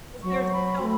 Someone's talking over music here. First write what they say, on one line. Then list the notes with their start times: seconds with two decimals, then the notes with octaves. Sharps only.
'cause there's so
0.22 F#3 C#6
0.52 B5
0.81 A3